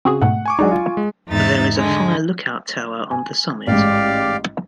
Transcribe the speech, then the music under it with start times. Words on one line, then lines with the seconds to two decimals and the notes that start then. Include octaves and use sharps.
There is a fire lookout tower on the summit.
0.05 C#3 C4 F#4 G#4
0.22 G#2 B2 A3 F#5
0.46 G#5 C#6 D6
0.59 F#3 G#3 D4 D#4
0.71 F4
0.97 G#3
1.28 E2 G#2 D#4 E5 A6
1.76 D3 G#3
3.11 G#5
3.67 A1 G#2 G4 D5 F5